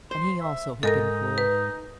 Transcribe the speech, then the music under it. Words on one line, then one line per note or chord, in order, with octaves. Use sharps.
And he also had been cruel.
C5 C6
E5
G#2 D#4 A4 A#4 A#6
B4